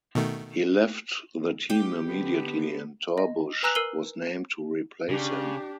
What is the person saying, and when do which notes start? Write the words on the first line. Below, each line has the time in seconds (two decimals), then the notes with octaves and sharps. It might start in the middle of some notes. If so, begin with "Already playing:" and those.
He left the team immediately, and Torbush was named to replace him.
0.15 B2 D#3 A3
1.70 G4
2.07 D3 B3
3.18 D#5
3.63 B4 G#5 A#5 E6 F#6
3.75 A#4 E6 C7 D#7 F#7 G7
5.09 C#3 D4 G4